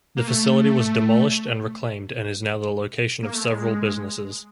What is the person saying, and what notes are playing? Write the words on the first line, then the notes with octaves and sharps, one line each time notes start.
The facility was demolished and reclaimed and is now the location of several businesses.
A#3
A3
A#3
A3
G#3